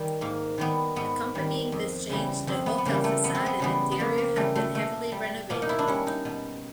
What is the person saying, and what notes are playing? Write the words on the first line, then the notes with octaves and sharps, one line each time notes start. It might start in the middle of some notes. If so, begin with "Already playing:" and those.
Accompanying this change, the hotel facade and interior have been heavily renovated.
Already playing: D#3 G3
G#2 A#3
D#3 G3 B3
G#2 B3
D#3 G3
F2
C#3 E3 G3
F2 C4
B3
B3
C#3 E3 G3 A#3
A3
F2 B3
C4
B3
C#3 E3 G3 B3
B3
F2 A#3
A#3
C#3 E3 G3 A3
A3
B2 A3
G3
B2 A#3
D#4
E4
D4
G3 C#4
D#4
B2